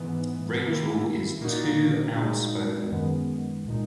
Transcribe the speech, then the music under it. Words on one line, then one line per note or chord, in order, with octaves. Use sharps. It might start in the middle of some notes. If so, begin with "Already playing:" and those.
Rachel is too outspoken.
Already playing: G#2 E3 B3
D#3 A#3 E4
A#2 A#3 D#4 F#4
A#2 G#3 D#4 F#4
F#2 D#3 G#3 B3
A#2 G#3 D#4